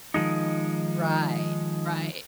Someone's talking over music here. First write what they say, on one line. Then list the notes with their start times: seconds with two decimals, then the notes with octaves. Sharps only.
Right, right.
0.14 D#3 F3 G#3 D#4